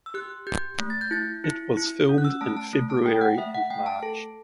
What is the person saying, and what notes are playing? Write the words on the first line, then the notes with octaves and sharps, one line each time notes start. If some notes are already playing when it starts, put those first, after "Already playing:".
It was filmed in February and March.
E6
G4 F#6
G4 G6
A3
A6
G6
E4 A6
E4
E4
C#4
F#6
E6
A3 A5
A5
A3
A5
A3 G5
F#5
A3 E5
F#5
A3 G5
A5
A4 A5